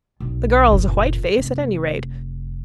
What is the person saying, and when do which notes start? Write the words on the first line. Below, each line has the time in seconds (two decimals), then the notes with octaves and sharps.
The girl's a white face at any rate.
0.20 B1
0.67 F#1 A#2
1.38 F1